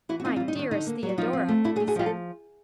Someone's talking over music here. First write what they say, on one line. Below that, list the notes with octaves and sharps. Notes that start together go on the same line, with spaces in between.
"My dearest Theodora," he said.
E3 E4 F#4
F#4
C4 D#4 F4
D#4 F4
G3
D#4
D#3 D4
D3 D#4
A#3
F#3
F#4
F3 D#4 F4
C4
A3
D4 E4 F#4
F#4 G#4
A3
F#4 G#4
F3 F4 G4
A4